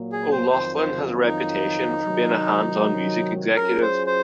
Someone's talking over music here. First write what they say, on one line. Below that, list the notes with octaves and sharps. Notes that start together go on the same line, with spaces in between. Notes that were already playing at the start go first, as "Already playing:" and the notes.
O'Loughlin has a reputation for being a hands-on music executive.
Already playing: A#2 F#3 A#3
G#4
C5
F2 D#3 F#3 C4 F4 C5
C5
D#4
C3 D#3 F#3
F#3 C#4 F4 G#4 A#4
C5
C5